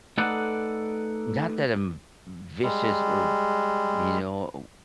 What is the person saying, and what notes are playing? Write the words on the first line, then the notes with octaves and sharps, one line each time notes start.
not that I'm vicious or, you know,
A3 D#4 A4 B4 D5 F#5
G3 G#3